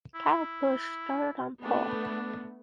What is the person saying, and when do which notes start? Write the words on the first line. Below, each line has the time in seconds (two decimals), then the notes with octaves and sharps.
Kyle Busch started on pole.
0.15 E4
1.65 A3 B3 D4